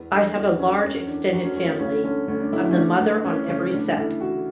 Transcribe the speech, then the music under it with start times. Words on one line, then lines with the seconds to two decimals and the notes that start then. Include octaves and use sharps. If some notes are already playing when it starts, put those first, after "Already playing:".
I have a large extended family; I'm the mother on every set.
Already playing: E2 B3
0.12 D3
0.35 E2
0.48 B3
0.59 D3 C#4
0.71 B3
0.83 F#2 C#4
1.07 E3 D4
1.32 F#2 F#4
1.44 C#4
1.56 E3 C#4
1.68 B3
1.79 D2 C#4
2.04 D3 C#4
2.28 D2 C#4
2.40 D4
2.53 D3 E4
2.64 E4
2.71 C#4
2.76 D2 D4
3.00 D2 B3
3.24 E3 C#4
3.49 C#3 C#4
3.73 D2 D4
3.97 D2 E4
4.21 E3 F#4